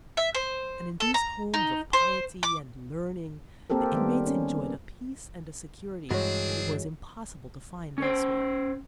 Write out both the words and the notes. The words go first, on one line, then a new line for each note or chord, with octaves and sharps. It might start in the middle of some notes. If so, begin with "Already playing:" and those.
And in these homes of piety and learning the inmates enjoyed a peace and a security that it was impossible to find elsewhere.
E5
C5
A4
A#5
D#4
C5
D6
A#3 C4 G4 A4 A#4
D#3 G3 B3
C#4
G2 E3 G#3 C4 D4 F#4 G#4 C#5
C#4 C5